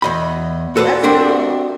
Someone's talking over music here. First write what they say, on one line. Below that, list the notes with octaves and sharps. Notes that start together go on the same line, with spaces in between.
That's cool.
E2 D#5 B5
F#4 A4 B4 C5 D5
C4 D4 F#4 G4 A#4